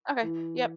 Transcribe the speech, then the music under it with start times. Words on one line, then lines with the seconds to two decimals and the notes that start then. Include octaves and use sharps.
Okay. Yep.
0.22 E3